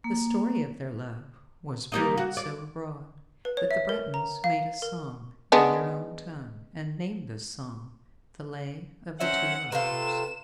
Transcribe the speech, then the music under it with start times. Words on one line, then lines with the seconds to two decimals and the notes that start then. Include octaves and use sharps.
The story of their love was bruited so abroad, that the Bretons made a song in their own tongue, and named this song the Lay of the Two Lovers.
0.04 A#3
1.92 G3 A#3 D#4
2.18 F#4
2.37 D5
3.45 B4
3.57 C#5
3.71 E5
3.89 A#4
4.14 A#5
4.44 F5
4.82 A#4
5.52 G#3 B3 D4
9.21 F#3 C4 C#4 E5 F#5
9.72 C3 A3 F4 B4 E7